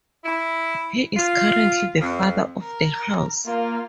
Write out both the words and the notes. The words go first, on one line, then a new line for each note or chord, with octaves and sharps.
He is currently the Father of the House.
E4
F4
F2
A#4
A#3 F4